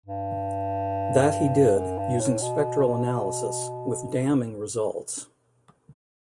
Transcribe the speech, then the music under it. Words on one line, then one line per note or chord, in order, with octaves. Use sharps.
That he did, using spectral analysis, with damning results.
G2
F#2
G2
A2
B2